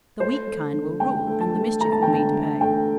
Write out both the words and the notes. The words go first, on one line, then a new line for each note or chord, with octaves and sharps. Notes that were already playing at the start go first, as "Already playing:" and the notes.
The weak kind will rule, and the mischief will be to pay.
A3 C5
A3
D3
A3 G5
A3
A5
A3
A3 A#5
A5
D3 G5
A5
A3
A3 G5